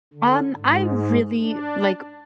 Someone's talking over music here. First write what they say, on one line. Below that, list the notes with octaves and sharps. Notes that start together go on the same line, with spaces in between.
Um, I really, like
D3
G#2
D4